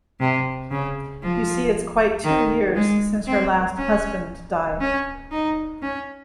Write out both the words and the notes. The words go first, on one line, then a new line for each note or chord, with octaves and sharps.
You see, it's quite two years since her last husband died.
C3
C#3
F3
D#3
G#3
C4
C#4
C#4
D#4
C#4